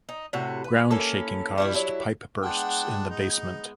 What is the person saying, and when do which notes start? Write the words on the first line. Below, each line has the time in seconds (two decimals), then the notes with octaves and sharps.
Ground shaking caused pipe bursts in the basement.
0.09 D#4
0.33 A2 C3 F#4
0.64 B4
0.91 A#3 C#4 E4 A4
1.58 G3 D4 E4
1.74 F#3 E4
2.43 G#3 B3 D4 F#5 G5
3.10 D#4